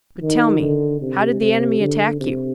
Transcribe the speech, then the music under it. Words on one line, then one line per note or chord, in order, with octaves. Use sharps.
"But tell me, how did the enemy attack you?"
D#3
D3
C3
C3
D3
C3